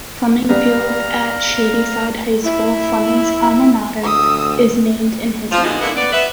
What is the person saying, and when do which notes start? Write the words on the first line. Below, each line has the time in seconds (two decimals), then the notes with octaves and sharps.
Fleming Field at Shadyside High School, Fleming's alma mater, is named in his memory.
0.49 G3 B3 F5 A#5
2.45 E4
4.04 D2 D#6 E6
5.52 F3
5.64 D3 E3 F3 G#3 B3 F#4
5.82 D3 G#3 A#3 B3 E4
5.96 B3 D5
6.12 B3 B4 E5